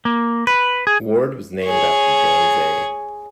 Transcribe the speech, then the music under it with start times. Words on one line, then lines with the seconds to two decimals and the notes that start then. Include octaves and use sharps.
Ward was named after James A.
0.05 A#3
0.47 B4
0.87 G#4
1.65 G#4 C#5